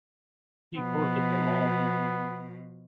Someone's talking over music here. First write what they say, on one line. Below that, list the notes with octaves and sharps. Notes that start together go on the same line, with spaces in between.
He courted them all.
B2 F3 B3